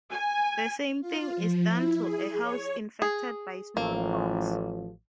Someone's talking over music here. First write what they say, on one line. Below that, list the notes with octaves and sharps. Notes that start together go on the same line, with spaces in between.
The same thing is done to a house infected by smallpox.
G#5
F4
F3
E4
G#4
C#5
G#4
A1 F3 A#3